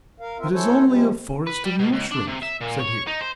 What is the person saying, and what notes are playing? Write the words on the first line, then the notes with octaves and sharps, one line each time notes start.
"It is only a forest of mushrooms," said he.
A#4 F5
C4 F4 A#4 E5
C#4 E4 A4 C5 C#5
C3 F3 G3 G#3
B4
G3
B2
C#2
D4
C3
E5
A#2
C#5
D#4
C5